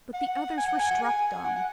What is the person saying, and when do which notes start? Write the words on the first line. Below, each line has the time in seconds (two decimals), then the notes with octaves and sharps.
But the others were struck dumb.
0.14 F#5
0.57 G#5
0.68 F#5
0.79 G#5
0.91 F#5
1.01 G#5
1.44 F#5
1.56 F#5